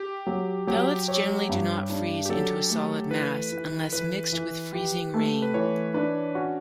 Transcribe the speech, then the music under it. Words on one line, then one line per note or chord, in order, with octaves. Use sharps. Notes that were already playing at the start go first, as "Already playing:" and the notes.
Pellets generally do not freeze into a solid mass unless mixed with freezing rain.
Already playing: G4
F#3
F#3 G4
C#5
G2
D4
G4
F#3 A4
A3
E3 B4
E3
E3 B4
E3
G4
A3
B4
E3 C#5
D4 B4
C#4 F#4